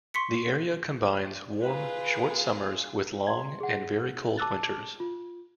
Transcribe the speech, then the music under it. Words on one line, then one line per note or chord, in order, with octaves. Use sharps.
The area combines warm, short summers with long and very cold winters.
C6 C#6 B6 C#7
F4 G#4 B4
C6 G#6
G#4 F#5
A5 D6 E6 F#6 A6
F4